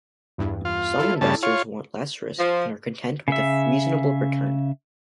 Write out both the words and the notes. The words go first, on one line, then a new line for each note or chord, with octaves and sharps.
Some investors want less risk and are content with a reasonable return.
E2 G2
F4
E4 A4
G2 C#3 A5
F4 C#5
F3
C#3 E5